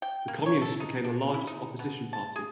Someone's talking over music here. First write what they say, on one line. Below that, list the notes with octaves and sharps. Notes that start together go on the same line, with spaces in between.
The communists became the largest opposition party.
G5
A#3
C#5
A4
D#4
D4
E4
D#4
B2
A5
G#4